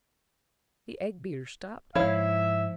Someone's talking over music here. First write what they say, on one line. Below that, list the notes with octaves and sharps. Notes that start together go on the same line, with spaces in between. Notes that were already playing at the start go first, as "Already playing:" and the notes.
The egg-beater stopped.
G#2 F3 E4 C#5 E5 F5